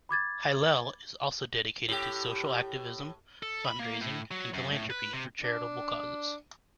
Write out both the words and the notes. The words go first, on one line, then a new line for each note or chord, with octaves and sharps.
Hillel is also dedicated to social activism, fundraising, and philanthropy for charitable causes.
B5 D6 G#6 A6
A2 G4
A4
B5
A#3
A2
F#3
F#2
A2
B4
C3
D4